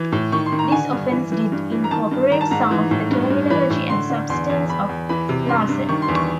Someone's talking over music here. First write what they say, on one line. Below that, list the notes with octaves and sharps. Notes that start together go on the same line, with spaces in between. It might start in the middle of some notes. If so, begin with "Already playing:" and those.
This offence did incorporate some of the terminology and substance of larceny.
Already playing: E3
A2
D#3 C#6
C6
D#3
A#5
D3 G#5
G2
E3
E3
G2
E3
A#5
D#3 A5
G2
D#3 A#5
A5
G#2 A#5
E3
A2
G2
G2
E3 B5
A2
D3 C6
D3
E2 C6
E2
E2 B5
E2
E3 B5
C3
G2 C6
G2
D#3 C#6
C6
E2
C#6